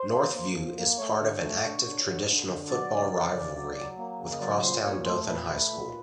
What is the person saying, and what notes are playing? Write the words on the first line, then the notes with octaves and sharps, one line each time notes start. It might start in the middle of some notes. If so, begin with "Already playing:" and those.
Northview is part of an active traditional football rivalry with crosstown Dothan High School.
Already playing: C5
A#3
A#3
F3
A#3
A3 C#5
D3
A3
D3
D3
D3
D3
D3
F#3 D5
C#3
C#3
C#3
F#3
F#3
A#3
C#3
D#5
F#3 D5
A#2 C5
A#2 C#5
A3 C5
A#2 B4
A3
A#2